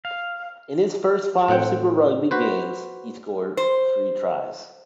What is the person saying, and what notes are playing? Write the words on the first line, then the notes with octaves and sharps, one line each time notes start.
In his first five Super Rugby games he scored three tries.
F5
A2 C4 F#5 G5
F#4 B4 C5
C5